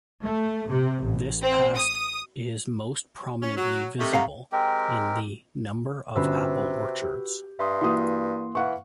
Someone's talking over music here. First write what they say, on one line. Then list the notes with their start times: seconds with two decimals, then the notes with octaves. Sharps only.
This past is most prominently visible in the number of apple orchards.
0.23 A3
0.70 C3
1.04 A1
1.42 C4
1.77 D#6
3.43 C#4
3.57 F#3
4.00 C3 D#3 A3
4.13 F5 F#5 A#5
4.52 G#3 C4 G4 A#4
6.16 G1 C3 C#4 F#4 B4 B5 E6
7.02 G4
7.59 G2 E5 C6 D#6
7.81 E3 A#3 F#4 C6 D#6
8.55 E3 F5 F#5 C#6